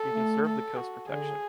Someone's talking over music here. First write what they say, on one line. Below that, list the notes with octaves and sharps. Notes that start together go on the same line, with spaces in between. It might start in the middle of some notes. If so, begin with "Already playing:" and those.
You can serve the coast protection.
Already playing: A4
A3
A4
F#4
D3 G#4